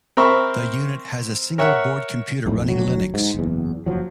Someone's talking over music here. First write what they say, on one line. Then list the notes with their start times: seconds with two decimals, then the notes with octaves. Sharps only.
The unit has a single-board computer running Linux.
0.17 C4 A#4 C5 E5 B5 C#6
1.58 A#4 C#5 E5 F#5
2.46 A#1 F2 A2
2.69 F1 D2 F#3
3.14 G#2
3.35 F#1 E2
3.86 F#1 F3 F#3